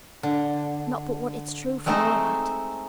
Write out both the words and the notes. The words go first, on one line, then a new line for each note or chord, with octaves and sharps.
Not but what it's true for all that.'
D3
G#3 A3 C4 D#4 A4 C5